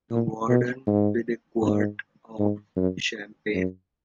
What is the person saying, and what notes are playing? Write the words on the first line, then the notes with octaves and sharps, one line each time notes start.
The Warden with a quart of champagne.
A#2
B2
G#2
G#2
G#2
F#2
F#2